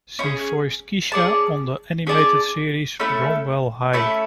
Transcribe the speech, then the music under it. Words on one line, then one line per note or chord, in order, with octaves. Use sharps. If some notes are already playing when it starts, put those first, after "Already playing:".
She voiced Keisha on the animated series "Bromwell High".
C#4 E4 G#4
C#4 G#4 D5 A5
C#4 G#4 D5 A5
A3 C#4 E4 A4
A3 C#4 E4 A4